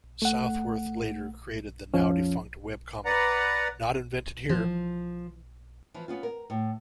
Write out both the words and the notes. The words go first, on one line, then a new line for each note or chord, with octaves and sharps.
Southworth later created the now-defunct webcomic "Not Invented Here".
A3 F#5
F2 F3 C#4
B4 D5 F#5 A#5
F3
E3 F3
B3 C#4 F4
A#4
A2